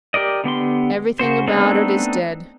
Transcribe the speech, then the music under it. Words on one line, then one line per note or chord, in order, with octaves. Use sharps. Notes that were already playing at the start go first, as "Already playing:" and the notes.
Everything about it is dead.
G4 A#4 D5 D#5
D3 B3 G4 C6
C#3 F#4 C5
A3 B3 C4 D4 D#4